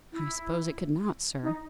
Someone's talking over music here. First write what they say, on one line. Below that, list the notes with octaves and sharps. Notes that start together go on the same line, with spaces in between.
"I suppose it could not, sir."
E4
D#4